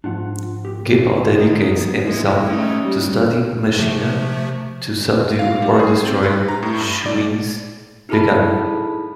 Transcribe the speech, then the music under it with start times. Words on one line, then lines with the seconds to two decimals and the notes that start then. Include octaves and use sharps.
Gippal dedicates himself to studying machina to subdue or destroy Shuyin's Vegnagun.
0.04 G#2 F3 D4 F4 F#5
0.65 G4
1.35 D3 D#4
1.70 F2 B3
2.02 E3 G#3
2.46 A3 C#4 D#4
2.81 G3
3.78 C3 F3 A3
5.39 F5
5.62 G3
5.79 G#4
6.04 C4
6.23 B4
6.48 A#5
6.63 A2
6.80 G2
7.06 D5
8.09 D#4 E4 G#4 A4 A5 B5